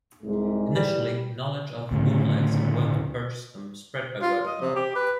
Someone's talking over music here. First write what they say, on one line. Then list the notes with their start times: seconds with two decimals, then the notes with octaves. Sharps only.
Initially, knowledge of bootlegs and where to purchase them spread by word of mouth.
0.24 C2 G#2 G#3
0.75 A2 G3
1.91 D2 A2 C#3
4.22 F4
4.47 D#5
4.61 C3
4.76 G4
4.95 B4